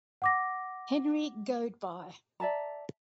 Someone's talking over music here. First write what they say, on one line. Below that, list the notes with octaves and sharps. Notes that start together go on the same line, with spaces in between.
Henry Goadby.
F#5 D6 A#6
D5 E5 A5 A#5